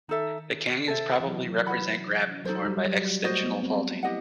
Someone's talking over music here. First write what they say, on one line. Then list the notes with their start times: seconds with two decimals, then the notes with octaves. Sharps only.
The canyons probably represent graben formed by extensional faulting.
0.09 D#3 D#4 A4 E5
0.88 C3 A4 C5 E5
1.20 E3
1.27 F#3
1.47 F#3
1.67 B4 F#5 B5
2.45 F#3 D#4 A4 C5
2.66 G3
2.77 G3
2.85 F#3
3.24 A3 F#4 C5 D#5
3.43 B3
3.63 C4
3.84 C4
4.03 E4 G4 D#5 F#5